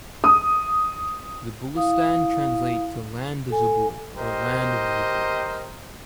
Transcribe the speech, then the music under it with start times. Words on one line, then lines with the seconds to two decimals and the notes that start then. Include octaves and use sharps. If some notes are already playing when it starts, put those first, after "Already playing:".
Zabulistan translates to "land of Zabul" or "land of the Zabuls".
0.24 D#6
1.75 E4 F5 D#6
3.50 A4 G#5
4.17 G4 A#4 C5 D#5